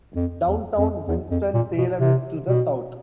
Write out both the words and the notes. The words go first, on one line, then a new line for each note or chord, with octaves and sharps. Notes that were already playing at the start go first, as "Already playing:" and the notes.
Downtown Winston-Salem is to the south.
F2
E2
F2
E2
F2
A#2
B2
C3
B2